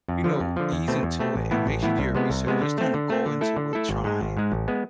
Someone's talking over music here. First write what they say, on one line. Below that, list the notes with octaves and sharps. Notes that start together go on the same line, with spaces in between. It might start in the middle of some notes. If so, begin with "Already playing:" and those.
you know, ease into it and make sure you do your research. Just don't go into it trying,
F2
D3 F3
F2
D3 F3
E2
B2 A3 C4
E2
B2 A3 C4
A1
A2 E3 B3 E4
A1
A2 E3 B3 E4
C2
C3 G#3 B3
C2
C3 G#3 B3
D3
A3 C4
D3
A3 C4
D3
A3 E4 A4
D3
A3 E4 A4
G#1
G#2 G#3
G#1
G#2 G#3
A1
G#3 B3